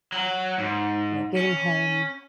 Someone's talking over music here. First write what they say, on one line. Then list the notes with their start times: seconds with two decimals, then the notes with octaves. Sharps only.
you know, getting home,
0.12 F#3
0.58 G#2
1.36 C#4